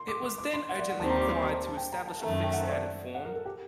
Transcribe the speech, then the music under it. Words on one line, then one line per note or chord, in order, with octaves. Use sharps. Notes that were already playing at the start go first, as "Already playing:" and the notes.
It was then urgently required to establish a fixed standard form.
Already playing: C6
D6
D6
D6
C6
F#5
D5
F#5
D#2 D#3 G3 C4 A5
A#5
D6
C6
A5
A5
G5
A#5
A5
F#2 D#3 A3 A#5
A5
G5
F#5
C5
D5
F#5
A#4
A4
G4